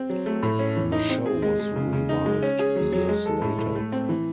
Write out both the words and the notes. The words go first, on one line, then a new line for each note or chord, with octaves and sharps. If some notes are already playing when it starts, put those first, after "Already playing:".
The show was revived years later.
Already playing: C4
F#3
A3
A2
C#4
E3
D#4
C4
G#4
G#3
G#3
C#3
C#3
D#4
G#3
C#4
G#4
F#3
F#3
G#3
A4
A2
A2
A3
C4
E3